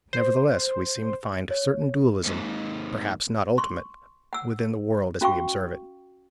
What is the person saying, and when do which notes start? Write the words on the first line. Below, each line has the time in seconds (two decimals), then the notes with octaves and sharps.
Nevertheless, we seem to find a certain dualism, perhaps not ultimate, within the world as we observe it.
0.13 C5
1.51 C#5
2.25 D#2 G#2
3.58 C6 C#6
4.33 F#5 E6
5.21 C#4 F#4 F5 G5 C#6